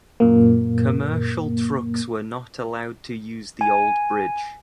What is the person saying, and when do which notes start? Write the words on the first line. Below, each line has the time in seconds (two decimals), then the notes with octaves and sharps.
Commercial trucks were not allowed to use the old bridge.
0.20 F#2 A#2 A#3
3.61 G#5